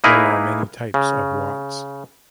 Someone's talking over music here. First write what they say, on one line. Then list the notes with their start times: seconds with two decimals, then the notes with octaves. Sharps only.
There are many types of wats.
0.04 A#3 D#4 E4 G#4 A#4 B4
0.94 C#3